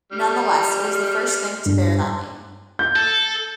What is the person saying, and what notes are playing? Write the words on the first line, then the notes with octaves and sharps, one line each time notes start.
Nonetheless, it was the first thing to bear that name.
G3 F6
G2
G6
A4